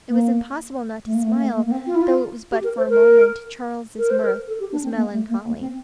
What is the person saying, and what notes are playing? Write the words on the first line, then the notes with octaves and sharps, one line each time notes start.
It was impossible not to smile, though it was but for a moment,--Charles's mirth was melancholy.
A#3
A3
A#3
A3
A#3
A3
A#3
A#3
C4
F4
E4
F4
G4
A#4
C5
A#4
A#4
C5
A#4
A4
G4
D4
C4
A#3
A3
A#3
A#3
C4